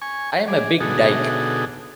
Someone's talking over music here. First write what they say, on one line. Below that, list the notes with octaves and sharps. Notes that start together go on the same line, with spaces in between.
I'm a big dyke.
G#5 C#6
G#4 D5
B2 D3 D#4 F#4 G#4 A4